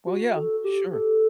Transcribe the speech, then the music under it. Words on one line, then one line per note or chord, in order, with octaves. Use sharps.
Well, yeah, sure.
F#4
A4
G4
A4